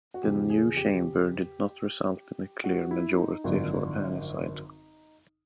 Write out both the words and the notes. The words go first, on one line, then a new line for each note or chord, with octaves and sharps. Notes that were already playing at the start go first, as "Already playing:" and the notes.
The new chamber did not result in a clear majority for any side.
F#4
E2 C#3 F3 G4
G#4
G4
F#4
E4
D#4
G#1 F#2 D3 F3